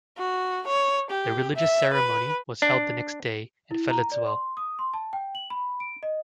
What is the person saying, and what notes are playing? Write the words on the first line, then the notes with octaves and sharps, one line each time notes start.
The religious ceremony was held the next day at Felizenweil.
F#4
C#5
G4
E5
B4
D4
E4
A#5
D5
C6
D#6
C6
A5
G5
F#7
B5
D7
D#5